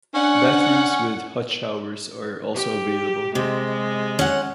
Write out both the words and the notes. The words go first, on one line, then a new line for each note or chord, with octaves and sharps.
Bathrooms with hot showers are also available.
C#4 D4 F#5
G4
C3 G#3
C#4 F#5